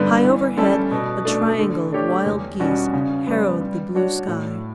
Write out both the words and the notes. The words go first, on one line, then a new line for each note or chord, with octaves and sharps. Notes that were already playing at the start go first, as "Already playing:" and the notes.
High overhead a triangle of wild geese harrowed the blue sky.
Already playing: G2 D3 G3 B3
E3
G3 C#4 E4 A4
B2
A3 D4
D3
A3 D4 G4 C#5
E2
B2 G3 C#4 F#4
C#3
G3 B3
G3
D4 F#4 C#5
A2